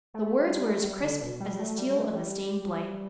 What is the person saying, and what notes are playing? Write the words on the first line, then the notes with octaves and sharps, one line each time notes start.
The words were as crisp as the steel of the stained blade.
A3
G3
A3
G3
D3
B2
G3
A3
G3
A3
G3